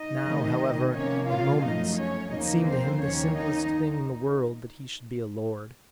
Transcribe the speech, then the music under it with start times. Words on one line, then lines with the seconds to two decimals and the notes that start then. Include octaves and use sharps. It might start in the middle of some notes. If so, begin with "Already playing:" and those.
Now, however, at moments, it seemed to him the simplest thing in the world that he should be a lord.
Already playing: D#4 D#5
0.24 C3 D#3 A3
0.93 C3 F3 A#3 C#4 C#5
1.28 F4 F5
1.63 F#2 F3 A3 D#4 D#5
1.97 C#4 C#5
2.32 D#2 C#3 F3 A#3 D#4 D#5
2.66 C4 C5
3.01 D#2 D#3 A#3 C#4 C#5
3.36 D#4 D#5